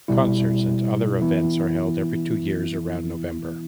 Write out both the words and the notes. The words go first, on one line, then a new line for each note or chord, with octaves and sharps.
Concerts and other events are held every two years around November.
B2 G3 E4
E3 B3 E4